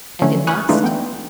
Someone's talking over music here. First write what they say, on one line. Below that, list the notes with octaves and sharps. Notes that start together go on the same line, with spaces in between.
And it must.
D3 F#3 A3 C#4
G#5 B5 C#6 D#6 F6 F#6
E3 G#3 A3 D4 D#4 F4
B3 G5